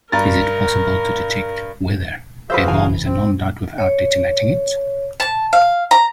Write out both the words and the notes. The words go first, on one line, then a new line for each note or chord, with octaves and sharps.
Is it possible to detect whether a bomb is a non-dud without detonating it?
G2 A#4 A#5 A6
F#4 G#4 B4 C5 E5 F5 B5 G6
A1 C#3 E3 G#5
C4
C#5
A5
F5
A#5